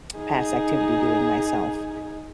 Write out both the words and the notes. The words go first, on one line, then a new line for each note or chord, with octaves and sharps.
past activity doing myself,
D#4 G#4